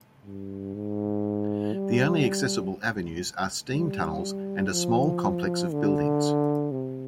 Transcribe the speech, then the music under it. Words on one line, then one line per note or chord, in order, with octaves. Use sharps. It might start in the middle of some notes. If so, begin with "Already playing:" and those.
The only accessible avenues are steam tunnels and a small complex of buildings.
G2
G#2
G3
G3
F3
D3
C3